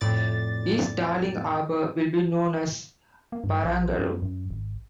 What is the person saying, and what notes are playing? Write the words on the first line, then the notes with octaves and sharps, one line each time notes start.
East Darling Harbour will be known as Barangaroo.
F2 A2 D5 A6
A#3
G2
A#1
F#2
F#2
G#1